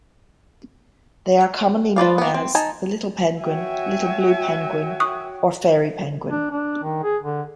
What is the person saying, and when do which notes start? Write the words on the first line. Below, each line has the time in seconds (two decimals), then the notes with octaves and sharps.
They are commonly known as the little penguin, little blue penguin, or fairy penguin.
1.96 F4 B4 D5 F5
2.18 A#3 B3
2.34 C4
2.55 D#4 G#5 A5
3.41 F#4 C#5 E5 G5 G#5
5.00 C#6 D#6 F#6
6.31 D4
6.51 D4
6.83 D#3
7.03 G#4
7.23 D3